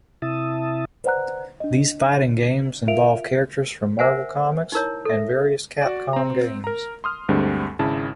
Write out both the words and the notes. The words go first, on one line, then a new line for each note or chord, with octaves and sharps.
These fighting games involve characters from Marvel Comics, and various Capcom games.
C3 E4 E5 A5 D#6
B4 C5 D5 F#5 A#5 F#6
D4 D#5
F4 A#4 E5 F5 D7 F7
A#4 C5 E5 F#5 G#5
D#4 E4 A#4 C#5
A4 E5
F#4 D5
C4 A#5
A#4 A#5
C6 D#6 F6
D2 G2 D3 G3 G#3 C4
G#1 C#3 E4 A5